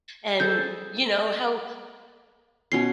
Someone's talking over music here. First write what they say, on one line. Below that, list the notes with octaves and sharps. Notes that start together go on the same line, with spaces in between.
and, you know, how
G#4 A4 C5 G6
B2 C#4 C6 C7